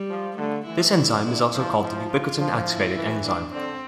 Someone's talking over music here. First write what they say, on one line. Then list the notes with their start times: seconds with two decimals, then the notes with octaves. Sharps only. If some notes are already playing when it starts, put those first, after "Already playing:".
This enzyme is also called ubiquitin-activating enzyme.
Already playing: G3
0.09 F3
0.37 D3 A3
0.66 E3 E4
0.96 E4
1.24 D3 E4
1.52 F3 E4
1.81 F3
2.10 F4
2.38 F3
2.67 E4
2.95 E3
3.24 D4
3.53 D3 C4